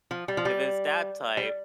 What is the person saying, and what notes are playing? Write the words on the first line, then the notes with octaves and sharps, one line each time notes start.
if it's that type,
F3
G3
F3
G3
G3